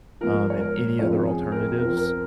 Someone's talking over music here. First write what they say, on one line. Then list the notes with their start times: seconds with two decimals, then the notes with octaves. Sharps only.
um, and any other alternatives
0.21 G#2 F3 A#4
0.50 C#5
0.60 A#4
0.99 F2 C#3 F3 C#5
1.25 G#4
1.52 A#4
1.78 F2 F3 A#4
1.97 A#4